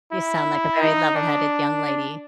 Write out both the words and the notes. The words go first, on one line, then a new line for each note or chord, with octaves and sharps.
You sound like a very level-headed young lady.
E4
D#4
D4